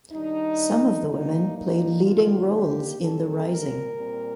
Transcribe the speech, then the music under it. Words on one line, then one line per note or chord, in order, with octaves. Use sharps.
Some of the women played leading roles in the Rising.
D#3 G3 D4 D#4
A2 G3 A#3 D#4
D#4
C3 D#3 A#3 D4 F4
G4
A#2 G3 C4 A4
A#4
A#2 G3 C4